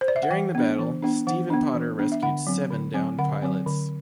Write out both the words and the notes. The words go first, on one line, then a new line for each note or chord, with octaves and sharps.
During the battle, "Stephen Potter" rescued seven downed pilots.
C5
D5
E5
F#5
E3 G5
B3 D4
E3
B3 D4
E3 F#5
B3 D4
E3
B3 D4
E5
D3 F#5
F#3 C4
D3
F#3 C4
D3 F#5
F#3 C4
D3